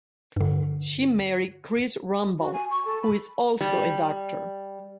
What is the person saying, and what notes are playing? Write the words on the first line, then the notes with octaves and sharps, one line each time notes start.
She married Chris Rumball, who is also a doctor.
G2 D3
F#4
G#5
C#6
A4
B5
G3